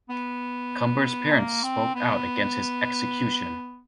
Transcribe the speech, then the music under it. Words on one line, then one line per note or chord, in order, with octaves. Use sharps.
Cumbers' parents spoke out against his execution.
B3
A#3
C4
B3